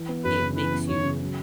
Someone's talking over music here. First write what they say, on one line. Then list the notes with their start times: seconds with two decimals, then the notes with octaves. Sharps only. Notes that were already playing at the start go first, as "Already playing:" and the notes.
it makes you
Already playing: E3
0.09 B3
0.24 F#2 B4
0.41 C#3
0.56 E3 B4
0.73 B3
0.88 F#2 C#5
1.04 C#3
1.20 F#3